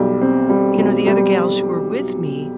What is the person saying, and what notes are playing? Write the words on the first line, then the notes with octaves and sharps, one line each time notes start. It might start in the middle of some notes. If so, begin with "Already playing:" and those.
you know, the other gals who were with me
Already playing: B1 G3
C4
G3
B1
G3